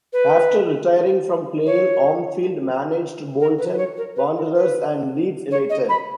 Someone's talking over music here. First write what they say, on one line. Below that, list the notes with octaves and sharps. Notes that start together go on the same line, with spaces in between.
After retiring from playing, Armfield managed Bolton Wanderers and Leeds United.
B4
C#5
A#4
B4
B4
C#5
A#4
B4
A#4
B4
C#5
D#5
B5